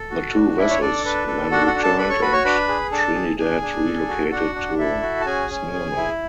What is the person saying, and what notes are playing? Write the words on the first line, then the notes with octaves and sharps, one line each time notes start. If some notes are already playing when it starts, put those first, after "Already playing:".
The two vessels then returned and "Trinidad" relocated to Smyrna.
Already playing: A4
F#4
D4
D4 E4 E5
C#5
D4 A4 D5
D4 B4
A4
D4 F#4 F#5
F#4 F#5
D4
A4 A5
A4 B4 B5
C#5 C#6
F#4 B4 B5
C#5 C#6
D4 B4 B5
G#4
D4 A4 A5
G#4
D4 G#4 G#5
D4
A4
F#4
D4 F#4 F#5
D4
E4 A4 E5
F#4
A5
C#4 G#4 G#5
C#4
G#4
E4